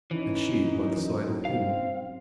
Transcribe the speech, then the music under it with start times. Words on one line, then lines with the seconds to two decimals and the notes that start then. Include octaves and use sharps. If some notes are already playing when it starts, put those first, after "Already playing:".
And she by the side of him!
0.11 E3 C#4 D#4
0.75 F#2
1.09 A2
1.45 C4 F5